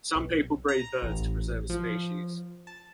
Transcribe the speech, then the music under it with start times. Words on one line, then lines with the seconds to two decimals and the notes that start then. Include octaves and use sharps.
Some people breed birds to preserve a species.
0.15 B1
0.68 A#5
1.02 A1
1.70 F3
2.67 A5